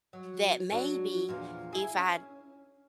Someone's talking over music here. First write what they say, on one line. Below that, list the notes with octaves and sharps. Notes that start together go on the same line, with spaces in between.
that maybe if I
F#3
F#3 D4
E2 A#2 F3
E4 G#4
C#4